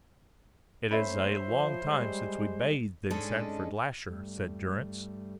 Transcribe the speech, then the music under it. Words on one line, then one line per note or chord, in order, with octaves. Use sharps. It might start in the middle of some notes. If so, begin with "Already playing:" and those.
"It is a long time since we bathed in Sandford Lasher," said Durrance.
A3 A#3 C#4 C5 C#5 E5 B5
F3
G3 G#3
G#2 G#3 C#4 D4 A4
G2 G3 A3